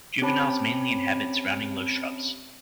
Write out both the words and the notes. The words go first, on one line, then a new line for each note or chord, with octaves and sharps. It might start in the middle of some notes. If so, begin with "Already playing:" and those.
Juveniles mainly inhabit surrounding low shrubs.
C4 C#4 G4 C#5 A5 B5